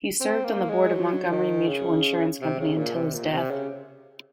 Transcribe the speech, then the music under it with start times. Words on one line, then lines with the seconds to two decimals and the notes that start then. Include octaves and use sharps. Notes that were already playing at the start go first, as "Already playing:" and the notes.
He served on the board of the Montgomery Mutual Insurance Company until his death.
0.21 C4
0.45 A#3
0.69 G#3
0.94 F#3
1.31 D#3
1.67 C#3
2.41 C3
2.60 C#3
2.78 A#2
2.96 C3
3.14 A#2
3.33 C3
3.51 C#3